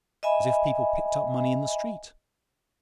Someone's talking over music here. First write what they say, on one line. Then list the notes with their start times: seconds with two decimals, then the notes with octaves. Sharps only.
As if people picked up money in the street!
0.23 D#5 E5 G#5 B5